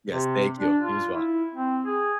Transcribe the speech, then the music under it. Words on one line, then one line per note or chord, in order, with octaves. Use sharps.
Yes, thank you. You as well.
C3
D4
F4
E4
C4
G#4